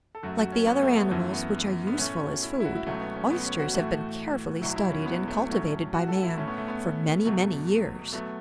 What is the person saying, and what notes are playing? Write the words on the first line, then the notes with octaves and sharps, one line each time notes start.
Like the other animals which are useful as food, Oysters have been carefully studied and cultivated by man for many, many years.
A4
F#2 F#3 A3 F#4
F#4
C#4
B3
A3
B3
F#2 E3 A3
B3
B3
A2 A3 C#4
F#4
E4
E4
F#4
E4
C#2 B2 F#3 A3 C#4
B3
C#4
B3
C#4
F#4
A2 E3 A3 F#4
E2 B2 F#3 E4
E4
C#4
B3
A3
A2 F#3 A3 C#4
A3
F#4
A4
E4
A2 A3 C#4
B3
A3
B3
E2 B2 F#3 A3
F#3 A3 B3